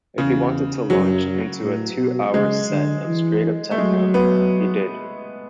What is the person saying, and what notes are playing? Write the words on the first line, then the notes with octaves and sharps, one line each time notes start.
If he wanted to launch into a two-hour set of straight-up techno, he did.
E2 C#3
F#2 F#3
A2
B2
C#3 G#3
D3
E3
A3
F#3 G#3
B3